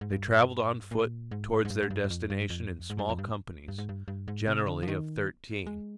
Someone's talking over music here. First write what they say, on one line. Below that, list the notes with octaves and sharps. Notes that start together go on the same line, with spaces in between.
They travelled on foot towards their destination in small companies, generally of thirteen.
G#2
G2
A#2
G#2
G#2
G2
G#2
G2
G2
F2
G2
F2
G#2
G2
F2
G2
G2
G#2
G2
G2
G#2
C3
D3
F3
D#3
G#3